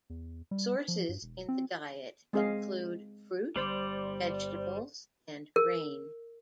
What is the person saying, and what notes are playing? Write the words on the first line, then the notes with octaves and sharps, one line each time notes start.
Sources in the diet include fruit, vegetables, and grain.
E2
G3
F3
G2
E1
C4
G#3 C4 G#4 D#5 F5
G1 G3 C5 D5
A#4